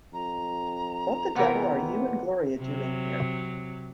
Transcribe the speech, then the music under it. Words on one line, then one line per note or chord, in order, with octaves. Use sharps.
What the devil are you and Gloria doing here?
F2 A#5
F1 C3 E3 B3 A#4 F#5
C3 F#3